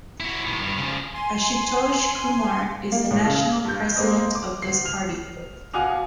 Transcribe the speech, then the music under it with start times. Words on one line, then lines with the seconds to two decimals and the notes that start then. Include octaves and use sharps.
Ashutosh Kumar is the National president of this party.
0.20 E4 F#4
0.47 A2 D#3
0.61 G2
0.78 C#3 F3
1.14 G#5 C6
2.92 A#3
3.11 A2
3.25 C#3
3.65 G2 G6
3.96 G#3 A#3 C4 D#5
4.35 D6
4.62 D2 C7
4.85 F6 F7
5.74 B2 F5 F#5 G#5 D6 F7